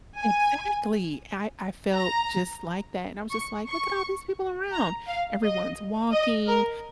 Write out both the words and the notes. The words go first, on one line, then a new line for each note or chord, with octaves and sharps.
Exactly! I I felt just like that and I was just like, "Look at all these people around!" Everyone's walking,
G#5
A#5
C#6
C#6
A#5
F5
D#5
D#5
A#4